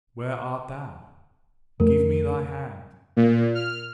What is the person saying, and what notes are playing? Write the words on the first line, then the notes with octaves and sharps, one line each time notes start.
Where art thou? Give me thy hand!
F2 A3 A#4
A#2
F6